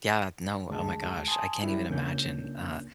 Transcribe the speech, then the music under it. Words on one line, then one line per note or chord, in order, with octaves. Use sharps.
Yeah, no, oh my gosh, I can't even imagine, uh,
D2 G#3 A5
G#5 A5 C6 D#6
G3 E4
C#2 A#3 C#4 D4 G6